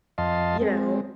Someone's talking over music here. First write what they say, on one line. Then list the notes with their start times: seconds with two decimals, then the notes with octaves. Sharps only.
you know,
0.18 F2 D#5 F5 A5 C6
0.61 G#3 C4